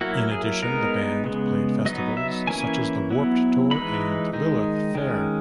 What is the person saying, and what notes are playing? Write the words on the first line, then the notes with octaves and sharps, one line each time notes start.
In addition, the band played festivals such as the Warped Tour and Lilith Fair.
F#3 A#3 E4 F#4
G#4
G#3 B3 D#4 A#4
C#3 G#3 B3
F#3 B3 D#4 D#5
E5
E3 A#3 C#4 E4 G#5
F#3 B3 E4
E3 G#3 D#4 B5
D#3 G#3 D#4
D#3 G#3 C#4